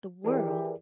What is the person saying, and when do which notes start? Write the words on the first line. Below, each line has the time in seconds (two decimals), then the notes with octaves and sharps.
The world!
0.25 E3 G4 G#4 A#4 D5